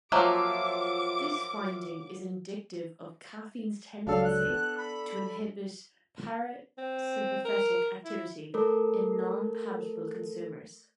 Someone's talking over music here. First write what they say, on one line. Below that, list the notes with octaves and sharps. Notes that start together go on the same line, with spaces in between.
This finding is indicative of caffeine's tendency to inhibit parasympathetic activity in non-habitual consumers.
F3 F#3 A#3 F4 E5 D6
C#2 F#3 D4 A4 F5
F#6
B3
B5
C4
A#4
E4
A3 A4 A#4